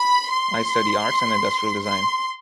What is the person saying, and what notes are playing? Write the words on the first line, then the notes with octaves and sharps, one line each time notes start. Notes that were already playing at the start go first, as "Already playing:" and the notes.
I study arts and industrial design.
Already playing: B5
C6
C6